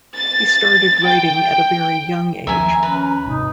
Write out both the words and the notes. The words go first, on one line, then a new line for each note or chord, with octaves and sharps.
He started writing at a very young age.
A6
G5
D#2 F3 E5 G#5 A#5
C#4 B4
G#1 C3 D#4